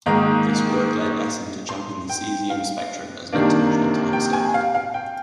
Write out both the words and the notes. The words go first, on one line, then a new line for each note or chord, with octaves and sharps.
This work led Essen to champion the caesium spectrum as an international time standard.
G#2 D#3 A#3 D#4 A#5
C6
G5
F5
C3 D#3 A#3 D4
G5
G#5
F5
F5
G5